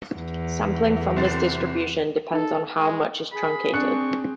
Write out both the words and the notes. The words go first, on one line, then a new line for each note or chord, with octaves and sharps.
Sampling from this distribution depends on how much is truncated.
E2
C2 C5 A6
D#4 A4
G#3
G#4 B5
C4 D4 C#6 F#6 C#7